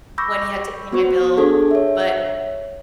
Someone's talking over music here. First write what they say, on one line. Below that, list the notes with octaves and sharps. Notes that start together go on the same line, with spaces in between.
when he had to pay my bill, but
B5 C#6 D6 E6 G6 A#6
B3 F#4 C5 C#6
D4 G#4 A4
C#5 E5